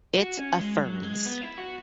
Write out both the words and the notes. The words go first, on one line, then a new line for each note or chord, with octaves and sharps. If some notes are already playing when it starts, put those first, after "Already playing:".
It affirms.
F#4
C#4
G#3
F#3
G#3
B3
E4
F#4